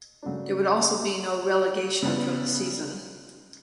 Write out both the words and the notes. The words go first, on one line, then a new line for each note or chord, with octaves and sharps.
There would also be no relegation from the season.
C#3 F#3 A3 D4
C#3 G3 B3 E4